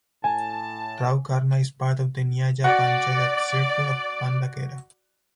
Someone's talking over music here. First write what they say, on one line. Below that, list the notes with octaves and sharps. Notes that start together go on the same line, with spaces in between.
Rau Karna is part of the nyaya panchayat circle of Banda Khera.
A2 G#5 A5
F#4 D5 F#5